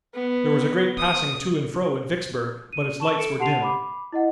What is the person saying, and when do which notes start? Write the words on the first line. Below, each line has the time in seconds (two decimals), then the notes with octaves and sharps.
There was a great passing to and fro in Vicksburg, but its lights were dim.
0.14 B3
0.98 D#6
2.73 D#7
3.00 A5 C#6 E7
3.18 A4 C#7 D7 E7
3.39 G4 F#5 A5 C6 C7 F7
3.62 B5 D6
4.12 E4 D#5 F#5